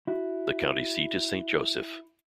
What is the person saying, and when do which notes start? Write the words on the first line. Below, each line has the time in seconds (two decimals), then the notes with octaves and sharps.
The county seat is Saint Joseph.
0.07 E4 F#4